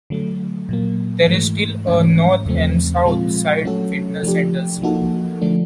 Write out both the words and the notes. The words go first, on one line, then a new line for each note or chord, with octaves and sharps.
There is still a north and south side Fitness Centers.
D3 F#3 A3
A#2 F#3 A#3
G#2 E3 A3
G#2 E3 A3 C#4
E2 C#3 F3 A3 C4
A#2 F3 G#3 C4 F4
F#3 A3 C#4 F#4 A4
F3 A3 D4 G4
F3 A#3 D#4 F#4 A4
D3 F3 A3 D4